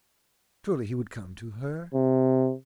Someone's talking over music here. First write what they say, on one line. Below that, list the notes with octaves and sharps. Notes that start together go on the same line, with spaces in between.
Surely he would come to her!
C3